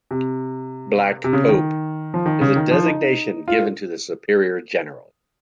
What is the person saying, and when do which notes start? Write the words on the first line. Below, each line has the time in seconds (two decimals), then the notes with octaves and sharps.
"Black Pope" is a designation given to the Superior General.
0.11 C3
1.24 C3
1.33 C#3
1.48 D#3
2.14 F3
2.26 D#3
2.41 C#3
2.56 D#3
2.71 F3
2.87 D#4
3.48 F4